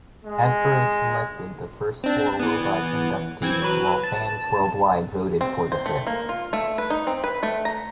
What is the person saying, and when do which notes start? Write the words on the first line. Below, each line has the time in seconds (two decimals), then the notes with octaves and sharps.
Hasbro selected the first four robot inductees, while fans worldwide voted for the fifth.
0.24 G#3
2.04 C4 D4
2.39 E3 B3
3.42 E3 C4 G#6
3.62 F#3 B4
4.04 A5
5.41 C4
5.72 C5
5.86 A3
6.07 A#3
6.29 F4
6.53 A3
6.78 B4
6.90 D#4
7.07 C4
7.24 B4
7.43 A3
7.65 A#5